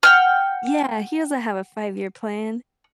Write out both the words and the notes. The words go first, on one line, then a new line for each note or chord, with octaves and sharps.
Yeah, he doesn't have a five-year-plan.
F#5 G5 F6